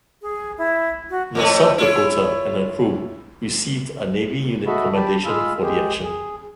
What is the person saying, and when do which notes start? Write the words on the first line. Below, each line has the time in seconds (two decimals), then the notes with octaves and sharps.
The "South Dakota" and her crew received a Navy Unit Commendation for the action.
0.22 G#4
0.58 E4
1.10 F#4
1.35 F2 A2 A3
1.78 E4 F4 C#5
4.67 F#4 A4 D#5 E5 B5
4.95 G4 A5 B5
5.26 G#3 F4 G#4 F5 B5 E6
5.62 G#3 G4 G#4
6.04 G#4